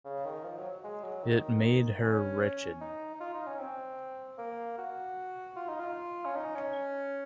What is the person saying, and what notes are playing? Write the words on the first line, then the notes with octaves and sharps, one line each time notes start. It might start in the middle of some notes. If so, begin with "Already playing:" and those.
It made her wretched.
C#3
D#3
F3
F#3
G#3
F#3
D#3
C#4
D#4
D#4
F4
D#4
C#4
C4
A#3
F#4
F4
D#4
F4
C#4
D#4
C#4